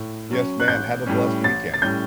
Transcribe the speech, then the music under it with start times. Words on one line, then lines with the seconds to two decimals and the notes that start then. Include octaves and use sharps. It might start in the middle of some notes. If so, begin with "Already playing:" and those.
Yes, ma'am, have a blessed weekend.
Already playing: A2
0.30 F#3 C#4
0.60 F#6
0.68 A1 G6
1.06 A2 G3 C#4
1.44 A1 A6
1.74 A6
1.82 A2 G3 C#4 G6